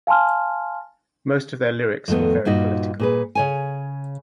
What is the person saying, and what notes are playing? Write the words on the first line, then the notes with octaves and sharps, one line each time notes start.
Most of their lyrics were very political.
F5 G#5 A5 C6 F6
F2 D#3 A3 B3
G2 A#2 D#4 F#4
A#2 G#4 B4
C#3 C#5 G#5